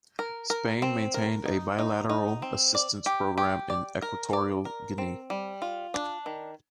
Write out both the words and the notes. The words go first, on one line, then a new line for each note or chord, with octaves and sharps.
Spain maintained a bilateral assistance program in Equatorial Guinea.
A#4
A#4
C4
A#4
D#4
D#4
D#4
C4
D5
G4
G4
D5
A#4
D5
A#4
C4
G3
F4
D4
D#3